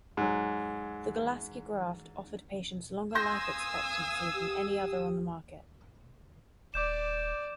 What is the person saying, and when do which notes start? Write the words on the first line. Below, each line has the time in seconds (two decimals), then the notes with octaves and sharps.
The Golaski graft offered patients longer life expectancy than any other on the market.
0.17 G#2 F#3
3.15 F5 G#5 C6 D#6 E6 G6 A#6
4.36 G4
6.74 D#1 D5 D6 G6 E7